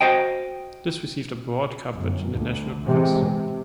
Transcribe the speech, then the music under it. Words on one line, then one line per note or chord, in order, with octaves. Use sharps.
This received a broad coverage in the national press.
F#4 C5 D#5 G5
G1 F#2
D2
C3 E3 G#3 C4
C3